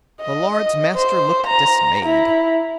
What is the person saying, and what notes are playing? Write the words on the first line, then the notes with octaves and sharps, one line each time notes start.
The Lords-Master looked dismayed.
D#5
C5
A#5
E4